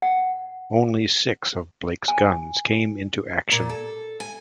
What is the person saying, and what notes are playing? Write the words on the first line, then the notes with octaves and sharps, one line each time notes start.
Only six of Blake's guns came into action.
F#5
G#5
A#2
A4
G#5